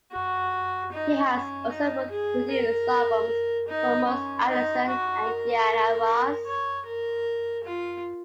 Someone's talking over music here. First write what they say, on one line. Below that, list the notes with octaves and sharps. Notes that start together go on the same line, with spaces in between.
He has also produced albums for Mose Allison and Diana Ross.
F#4
D#4
C#4
D#4
G#4
A#4
D#4
C#4
D#4
F#4
A#4
C#5
A#4
F4